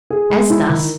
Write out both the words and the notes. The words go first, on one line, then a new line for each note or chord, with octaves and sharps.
As thus.
G#4
G#3
E4
D#3